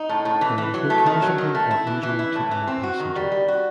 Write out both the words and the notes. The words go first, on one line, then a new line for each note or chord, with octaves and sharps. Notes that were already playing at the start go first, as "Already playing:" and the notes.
There was no casualty or injury to any passenger.
Already playing: D#4
A2
A2
E3
E3
F#3
A3
D#3
F#3
D#3
A3
E4
E3
E3
E4
A2
E3
C4
F#4
D#3
G3
G3
F#4